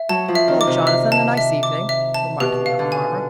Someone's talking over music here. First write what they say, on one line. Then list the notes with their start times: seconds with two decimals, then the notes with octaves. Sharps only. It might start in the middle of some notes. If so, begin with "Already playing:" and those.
"Well, Jonathan, a nice evening," remarked the young farmer.
Already playing: E5
0.09 F#3 A5
0.28 F3
0.35 E5
0.48 D#3
0.61 D6
0.67 C3
0.87 E5
1.12 A5
1.37 E5
1.63 D6
1.89 E5
2.14 A5
2.40 B2 G4
2.66 F5
2.79 D3
2.92 G#5